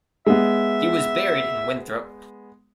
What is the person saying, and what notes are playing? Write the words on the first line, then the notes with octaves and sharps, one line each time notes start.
He was buried in Winthrop.
G#3 B3 E5